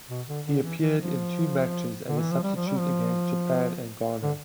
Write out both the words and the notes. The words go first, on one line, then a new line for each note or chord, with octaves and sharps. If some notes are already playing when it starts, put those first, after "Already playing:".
He appeared in two matches as a substitute, against Japan and Ghana.
B2
D3
D3
E3
E3
F3
D3
E3
F3
G3
F3
G3
F3
D3